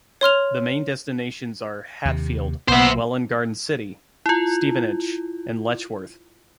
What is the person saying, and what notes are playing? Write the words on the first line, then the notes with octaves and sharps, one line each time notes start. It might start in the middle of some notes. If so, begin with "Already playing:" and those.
The main destinations are Hatfield, Welwyn Garden City, Stevenage, and Letchworth.
C#5 C6 F6 F7
D#2 C3
B1 A#3 B3 C5 E5
E4 F4